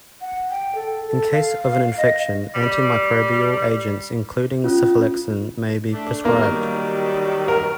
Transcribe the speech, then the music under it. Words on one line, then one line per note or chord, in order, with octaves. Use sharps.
In case of an infection, antimicrobial agents including cephalexin may be prescribed.
F#5
G5
A4
A4
F5
D#5
G3
C#4 F4
A3 D4
D#3 F#3 G3 A#3
A#4